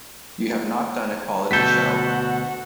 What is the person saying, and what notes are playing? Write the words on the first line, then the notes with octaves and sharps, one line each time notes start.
You have not done a quality show.
D2 B2 F#4 A4 G6 B6